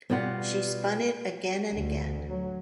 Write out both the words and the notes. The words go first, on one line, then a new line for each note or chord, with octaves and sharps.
She spun it again and again.
B2 G3 B3 F4 D5 F#5
D2
F#3